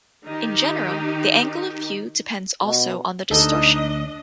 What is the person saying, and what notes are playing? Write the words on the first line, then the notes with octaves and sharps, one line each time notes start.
In general, the angle of view depends also on the distortion.
D#3 D#4 G4
B2
D2 D4 D#4 A4 D#5